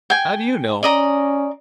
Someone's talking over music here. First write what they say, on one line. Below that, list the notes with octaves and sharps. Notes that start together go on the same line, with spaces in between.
How do you know?
G5 G#5
C#4 D5 D#5 A#5